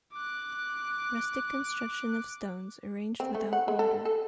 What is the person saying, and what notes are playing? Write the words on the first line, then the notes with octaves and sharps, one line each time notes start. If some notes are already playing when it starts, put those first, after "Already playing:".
Rustic construction of stones arranged without order.
D6 F#6
C4
A3
F#5
G#3
A4
A4